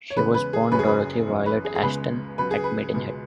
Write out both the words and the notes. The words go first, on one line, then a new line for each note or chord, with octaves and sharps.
She was born Dorothy Violet Ashton at Maidenhead.
C#5
E2 C#3 G#3 B3 B4
B4
G#4
F#1 F#2 F#3 C#4 B4
G#4
B4
F#2 E3 C#4
B4
G#4
G#4
C#2 C#3 G#3 B3 B4
C#2 C#3 F#3 B3 B4
G#4
B4
C#2 B2 G#3